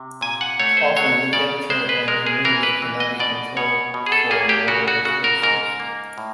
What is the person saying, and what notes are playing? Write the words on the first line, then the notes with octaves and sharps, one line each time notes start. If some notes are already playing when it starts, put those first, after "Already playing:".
Often the temperature and humidity cannot be controlled for mobile installations.
Already playing: C3
A#2 G#5
F#5
A3 C#5
C5
F#3 C#5
C#3 D5
G#3 C5
B4
G#3 A#4
G#4
E3 A#4
B4
E3
D#5
B2 D5
B2 C#5
B2
G#4
A4
A#3 G#4
G4
C#3 F#4
F#4
C#3 F#4
A#4
G#2 A#4
A#3
A2